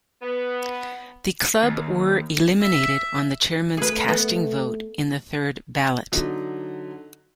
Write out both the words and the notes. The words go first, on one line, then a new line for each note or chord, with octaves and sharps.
The club were eliminated on the chairman’s casting vote in the third ballot.
B3
D#2
E5
A3 G#4 B4
B3
D3 F#3 D#4